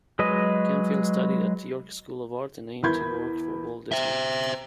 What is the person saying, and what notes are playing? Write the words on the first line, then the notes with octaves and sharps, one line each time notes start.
Camfield studied at York School of Art and aimed to work for Walt Disney.
F#3 G#3 B4 D#5
E2 E4 A#4 B5 G6 G#6
C5 E5